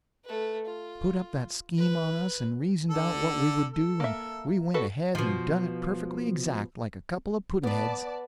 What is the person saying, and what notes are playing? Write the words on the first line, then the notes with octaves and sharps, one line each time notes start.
He put up that scheme on us and reasoned out what we would do, and we went ahead and done it perfectly exact, like a couple of pudd'nheads.
A3 B4
F4
B4
D3 A4
A4
A#3 E5
F#4 A4 B4
B2 F3
B3 B4 D5 A5